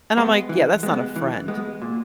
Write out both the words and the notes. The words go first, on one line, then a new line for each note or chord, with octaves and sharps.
And I'm, like, "Yeah, that's not a friend."
G#3 B3
E3
G#3 B3
E3
G#3 B3
A#2